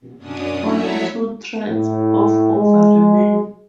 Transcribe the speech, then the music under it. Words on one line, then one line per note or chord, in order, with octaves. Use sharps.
Only two tracts of over remain.
F#2 C#4 D4 D#6
F#3 A3 E4 C#5 E5
A2
G#3